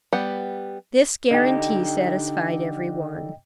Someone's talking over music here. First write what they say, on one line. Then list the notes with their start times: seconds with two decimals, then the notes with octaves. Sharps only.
This guarantee satisfied every one.
0.13 G3 B3 G4 F#5
1.31 D3 D#4 G4 D#5 G5